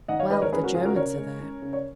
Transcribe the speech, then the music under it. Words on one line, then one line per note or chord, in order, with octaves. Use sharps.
"Well; the Germans are there."
D#3 D#5 F#5
C#5 F5
G#3 B4 D#5
A#4 C#5
C#4 G#4 B4
F#4 A#4
C#3 F4 G#4
F#4 A#4
C#3 A#4 C#5
G#3
C#4
C#3
C#5